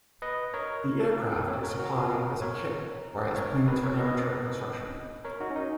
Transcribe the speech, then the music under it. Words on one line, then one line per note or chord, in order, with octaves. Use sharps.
The aircraft is supplied as a kit or as plans for amateur construction.
B4 D#5
A#4 C#5
A#4 C#5
A#4 C#5
F#4 A#4
F4 G#4
F#4 A#4
A#4 C#5
A#4 C#5
G#4 B4
A#4 C#5
B4 D#5
A#4 C#5
D#4 F#4
C#4
D#4